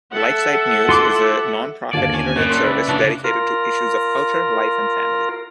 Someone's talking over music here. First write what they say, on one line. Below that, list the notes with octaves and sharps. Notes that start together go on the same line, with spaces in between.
LifeSiteNews is a non-profit Internet service dedicated to issues of culture, life, and family.
A4 E5 F#5
F4 C6 D6
D#2 D3 F4 D5 F5 G#5 A5 G#6
C#4 G#5
A2 G3 A#3 F#6
D4 F#4 E5 G5 C6
C#2 B4 D5 E5
C#3 E3 D4 F#4
F4 A#4